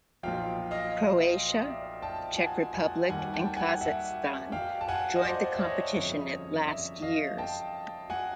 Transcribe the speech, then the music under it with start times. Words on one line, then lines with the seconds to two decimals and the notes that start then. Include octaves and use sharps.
Croatia, Czech Republic and Kazakhstan joined the competition at last years.
0.23 B1 A#2 F3 F5 G5
0.71 D#5 F5
1.67 D5 E5
2.02 G5 A5
2.34 A5
2.38 F#5 G#5
2.74 F#5 G#5
3.09 D#2 D#3 G3 F#5 G#5
3.33 G5 A5
3.57 F#5 G#5
3.81 E5 F#5
4.52 F5 G5
4.81 A5
4.88 F#5 G#5
5.16 D#5
5.24 C5 D5
5.54 E5
5.59 C#5 D#5
5.95 G1 F2 C#3
6.67 D5 E5
7.02 D#5 F5
7.38 G5 A5
8.10 F#5 G#5